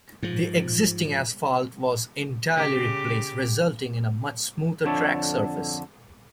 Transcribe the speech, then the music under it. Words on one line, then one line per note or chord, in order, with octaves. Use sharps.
The existing asphalt was entirely replaced, resulting in a much smoother track surface.
G#2 F3
C#3 G4
F2 D3 D4 C#5 E5 A5